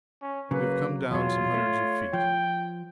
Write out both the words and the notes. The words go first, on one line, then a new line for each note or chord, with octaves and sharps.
We have come down some hundreds of feet.
C#4
C#3 F#3 A#3 B4
E2 B2 F#3 F4 C#5
A3
F3 G5